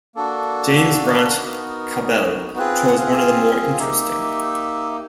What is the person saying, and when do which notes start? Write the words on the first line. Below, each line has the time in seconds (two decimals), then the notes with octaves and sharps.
James Branch Cabell chose one of the more interesting.
0.15 A#3 D4 F#4 A4
0.76 A4
1.06 A#4
1.15 B4
1.24 A#4
1.37 B3 D#4 F#4
2.57 C4 F4 G#4 B4
2.88 F#5
2.98 F5
3.07 E5
3.17 F5
3.79 A#3 D#4 G4 E5